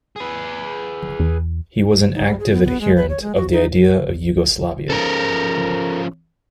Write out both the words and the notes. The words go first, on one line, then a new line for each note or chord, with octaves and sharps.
He was an active adherent of the idea of Yugoslavia.
G#4 B4
E2
D#4
G3
G#4
B3
B3
G#3
B4
C#5
G#3
F#4
D#4
C#3 F3 A4 A#4